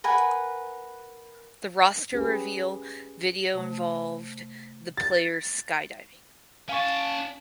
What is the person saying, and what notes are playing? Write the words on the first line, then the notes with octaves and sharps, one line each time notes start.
The roster reveal video involved the players skydiving.
A#4 B4 F#5 G#5
C#4 G4 G#4 B4
C3 A3
A6
C#4 F5 G#5 A5 C#6